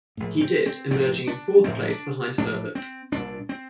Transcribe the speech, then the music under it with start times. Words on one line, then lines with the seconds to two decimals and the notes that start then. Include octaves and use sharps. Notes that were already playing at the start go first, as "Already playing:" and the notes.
He did, emerging in fourth place behind Herbert.
0.17 A#1 A2
0.41 C4
0.66 C4
0.90 A#1 A2 C4
1.27 D4
1.64 A#1 A2 C4
1.89 D4
2.38 A#1 A2 D4
2.75 C4
3.12 C2 A#2 D4
3.49 C4